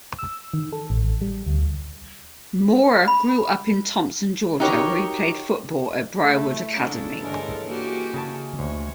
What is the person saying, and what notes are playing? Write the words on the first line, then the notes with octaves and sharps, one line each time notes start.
Mohr grew up in Thomson, Georgia, where he played football at Briarwood Academy.
E6
D#3
A4
A1
G3
D2
B5
D#4 F#4 G4 A#4 C#5
A3 E4
G#3 A#3 C#4 D4 A4
G2 D3 E3 G#3 C#4 A#4
A#3 F#4 G4
C#3 G#5 A5
D2 C#5